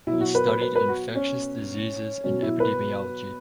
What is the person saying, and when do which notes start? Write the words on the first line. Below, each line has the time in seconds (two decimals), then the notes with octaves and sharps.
He studied infectious diseases and epidemiology.
0.07 B2 F#3 E4
0.21 F#4
0.35 B4
0.48 B4
0.62 B4
0.76 B4
0.88 F#4
1.15 C#4
2.24 B2 F#3 C#4
2.42 E4
2.60 B4